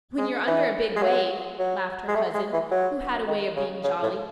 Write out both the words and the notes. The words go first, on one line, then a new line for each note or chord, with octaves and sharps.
"When you are under a big wave," laughed her cousin, who had a way of being jolly.
G#3
E3
G#3
F#3
F#3
G#3
A3
G#3
E3
F#3
D#3
C#3
C#3
A2